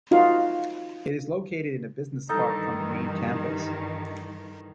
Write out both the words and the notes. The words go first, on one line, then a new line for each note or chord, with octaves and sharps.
It is located in a business park from the Main Campus.
D#4 F4 F#4 F5
G2 D#3 E3 D#4 A4